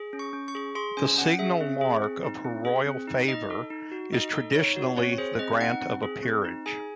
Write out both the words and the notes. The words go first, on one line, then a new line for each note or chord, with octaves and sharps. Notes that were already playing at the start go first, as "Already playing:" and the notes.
The "signal mark of Her Royal favour" is traditionally the grant of a peerage.
Already playing: G#4
C#4
C#6
C#4
C#6
G#4
G#4 C6
C#4 G#5
C#4 F#5
G#4 E5
C4
G#4
C4
D#4
C4
G#4
C4
D#4
D#4 D#5
A4
D#4
F#4
D#4 D#5
A4
D#4 C#5
F#4
C4 C#5
G#4 C5
C4 D#5
D#4 F#5
C4
G#4
C4
D#4
G#4 G#5